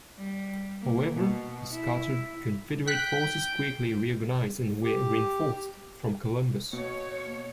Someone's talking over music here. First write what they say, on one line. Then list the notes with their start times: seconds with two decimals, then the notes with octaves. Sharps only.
However, the scattered Confederate forces quickly reorganized and were reinforced from Columbus.
0.17 G3
0.81 A#3
1.13 B2
1.74 E4
2.88 G5 F#6 B6
4.83 G4
6.73 B2 A#3 C#5